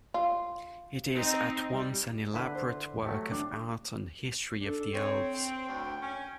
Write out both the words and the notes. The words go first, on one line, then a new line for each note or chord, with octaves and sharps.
It is at once an elaborate work of art and history of the elves.
F4
C4 D#4
G3
D3 E4 B4
C5
F#3 A3 G4
D4
D4 A4
C4 C#5
G5
D2
C#4